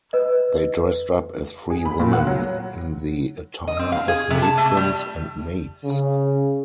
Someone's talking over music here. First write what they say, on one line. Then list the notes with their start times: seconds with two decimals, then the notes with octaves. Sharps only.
They dressed up as free women in the attire of matrons and maids.
0.13 B4 D#5
1.70 G#4
1.85 B5
2.00 A#2
2.13 F#5
2.27 F#3
3.68 D#5
3.79 C4
3.92 F5
4.08 G#4
4.31 C3
4.42 A5
4.58 A3
4.77 G3
5.84 C#3